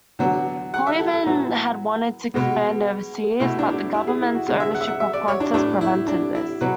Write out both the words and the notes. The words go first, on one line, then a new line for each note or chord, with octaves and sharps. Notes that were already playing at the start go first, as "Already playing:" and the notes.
Holyman had wanted to expand overseas but the government's ownership of Qantas prevented this.
D3 F#3 B3
F#5
E5
A4
A4
A2 F#3 B3 F#4
B2 G#3 B3
B2 A3 E4
D4
D4
E4
E4
G#4
E4
F#4
D3 G#3 B3 G#4
E5
F#5
E5
F#5
E5
D5
C#5
D4
A2 E3 A3 D4
E4
D4
E4
B2 F#3 B4